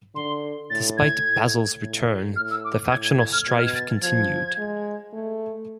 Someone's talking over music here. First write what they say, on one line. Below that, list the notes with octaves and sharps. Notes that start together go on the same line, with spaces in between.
Despite Basil's return, the factional strife continued.
D3 C6
A2 A6
G#6
A2
A2
A2 F6
E6
D6
A2 G#6
G#6
G#6
F6
B2 G#6
F6
G#6
A6
F3 G#6
G#3
A3